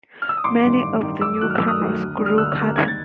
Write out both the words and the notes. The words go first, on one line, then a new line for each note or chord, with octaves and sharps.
Many of the newcomers grew cotton.
F6
E6
D#6
A1 C6 D6
G2 D#3
A1
G2 D#3
F#2 D6 E6
D#3 F#3 A3 F#6
F6
F#2 E6
D#6 F6
D#3 F#3 A3
D2
D3 G3 A#3
F6
D2 E6 F#6
D3 G3 A#3
D#2 G#6
A6